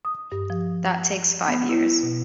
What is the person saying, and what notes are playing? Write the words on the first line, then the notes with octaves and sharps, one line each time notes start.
That takes five years.
D#6
G2
F3
B3
E4
B2